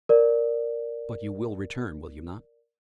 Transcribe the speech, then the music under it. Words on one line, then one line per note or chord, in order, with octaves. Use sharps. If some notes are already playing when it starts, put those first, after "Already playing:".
"But you will return, will you not?"
A#4 D5